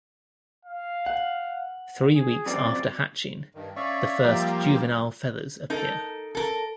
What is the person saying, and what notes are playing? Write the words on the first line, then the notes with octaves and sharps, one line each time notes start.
Three weeks after hatching, the first juvenile feathers appear.
F5
F#5
G#4
F#2 C4 D5
G2 D#3
C#4 D5 E5 F5
F3 G3 A#3
F#3
D#4 A4 A#4
A4 A#4